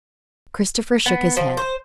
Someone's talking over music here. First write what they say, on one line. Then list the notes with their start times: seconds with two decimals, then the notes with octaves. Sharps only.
Christopher shook his head.
1.06 B3
1.37 F3
1.57 C5